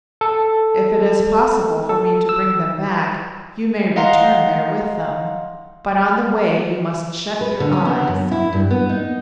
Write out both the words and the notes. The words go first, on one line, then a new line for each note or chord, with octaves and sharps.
If it is possible for me to bring them back, you may return there with them, but on the way you must shut your eyes.
A4
A4
E6
D#5 F5 F#5 A#5 C6
B4
D3
C#4
B3
F#2
E4
G2
B3
D#4